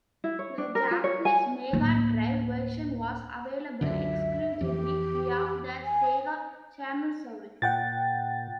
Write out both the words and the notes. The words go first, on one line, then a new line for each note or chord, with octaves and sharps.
The Japanese Mega Drive version was available exclusively via the Sega Channel service.
E4
C#5
D4
A#4
F4
C#5
G#5
D1 A#3
C#2 F#2 D3 E5
F2 E3 G4
G#5
A#2 F#5 G5 A6